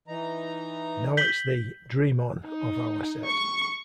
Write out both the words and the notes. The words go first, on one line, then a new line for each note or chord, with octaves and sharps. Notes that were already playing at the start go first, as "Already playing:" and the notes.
Now it's the 'Dream On' of our set.
E3 D#4 A#5
G6 B6 F#7 G7
D#4
C#6